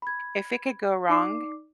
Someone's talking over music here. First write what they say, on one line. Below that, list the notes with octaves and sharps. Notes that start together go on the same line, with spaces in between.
if it could go wrong,
B5 G#6
D#4 D5 D6 C7